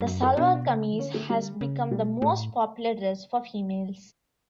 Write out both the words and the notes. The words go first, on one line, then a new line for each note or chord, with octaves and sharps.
The salwar kameez has become the most popular dress for females.
G2
F#2
A4
B2 D4
C#3
E3
D3 C#4
A3
G3
C#3
B2 G3
A2 A3